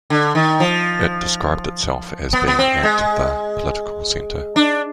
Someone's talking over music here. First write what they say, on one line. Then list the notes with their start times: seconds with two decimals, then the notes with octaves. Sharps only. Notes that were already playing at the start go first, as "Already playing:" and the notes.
It described itself as being at the political centre.
0.10 D3
0.35 D#3
0.60 F3
2.33 B3
2.47 B3
2.59 C4
2.83 G#3
4.56 D4